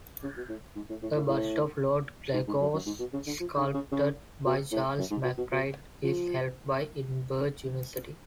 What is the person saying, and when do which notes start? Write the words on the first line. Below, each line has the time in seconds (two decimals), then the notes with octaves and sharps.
A bust of Lord Glencorse, sculpted by Charles McBride, is held by Edinburgh University.
0.23 C#3
0.37 B2
0.49 A2
0.76 G#2
0.89 A2
1.02 A2
1.15 A2
1.28 A2
2.33 G#2
2.47 G#2
2.60 F#2
2.74 F#2
2.86 G#2
2.99 B2
3.13 C#3
3.26 D3
3.40 F3
3.57 D3
3.74 C#3
3.92 C#3
4.45 B2
4.72 A2
4.98 F#2
5.10 G#2
5.24 B2
5.38 B2
5.51 B2
6.03 F3